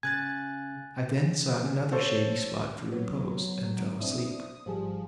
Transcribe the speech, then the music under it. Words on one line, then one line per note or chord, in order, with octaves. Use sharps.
I then sought another shady spot for repose, and fell asleep.
C#3 G#5 F#6 G#6 A6
A4 C5 C#5
F#3 B3
C4 D4 E4 D#6
G#1 F3 G3 G#4